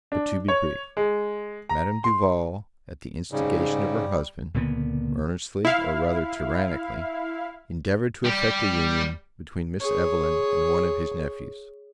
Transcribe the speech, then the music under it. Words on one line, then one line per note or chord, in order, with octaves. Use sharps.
But, to be brief-Madame Duval, at the instigation of her husband, earnestly, or rather tyrannically, endeavoured to effect a union between Miss Evelyn and one of his nephews.
D4
C#5
G#3
A#5
C6
G#2 C#3 G3
C#2 A#2 D3 B3
E4 F5
G3 G4
G#4 C#5